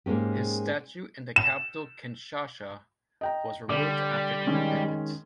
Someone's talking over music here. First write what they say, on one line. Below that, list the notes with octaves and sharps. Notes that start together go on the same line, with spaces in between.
His statue in the capital Kinshasa was removed after independence.
G#2 G#3 A#3 C#4 G4
E7
D#5 G5 A#5
D3 G3 D5 D6
D#3 G#3 C#4